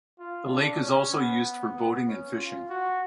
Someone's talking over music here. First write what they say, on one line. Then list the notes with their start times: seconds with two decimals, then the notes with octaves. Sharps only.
The lake is also used for boating and fishing.
0.19 F4
0.51 D4
0.82 C#4
1.13 B3
1.75 B3
2.07 C#4
2.37 F4
2.69 F#4